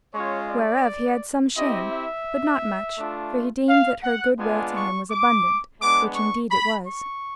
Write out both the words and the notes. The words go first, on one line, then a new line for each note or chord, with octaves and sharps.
Whereof he had some shame, but not much, for he deemed that her goodwill to him was abundant, which indeed it was.
G#3 C#4 F4 C#5
D5
C4 E4 G4 D#5
E5
A3 D4 F4
F5
F#5
G#3 B3 D4 F4 G#5
C#6
D6
G#3 B3 D4 D6
C#6
B5
C#6